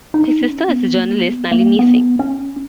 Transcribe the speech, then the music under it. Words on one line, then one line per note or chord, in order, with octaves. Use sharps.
His sister is the journalist Nalini Singh.
D#4
C#4
B3
A#3
B3
A#3
B3
C#4